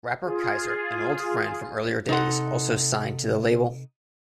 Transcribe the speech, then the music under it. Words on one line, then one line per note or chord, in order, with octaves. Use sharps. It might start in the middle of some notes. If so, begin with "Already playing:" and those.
Rapper Keizer, an old friend from earlier days also signed to the label.
F4 G#4
C3 D#4 A4 F#5 C6